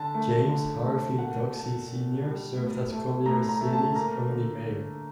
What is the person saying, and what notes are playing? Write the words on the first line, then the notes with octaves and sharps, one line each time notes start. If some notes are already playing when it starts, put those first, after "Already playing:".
James Harvey Doxsee Senior served as Collier City's only mayor.
Already playing: D3 A5
A3
D3
A3
A#3 F#5
A#2 A5
A#2
G3
A2
A3
A2 A#5
A#5
A3
A5
A#3 A#5
D3
D3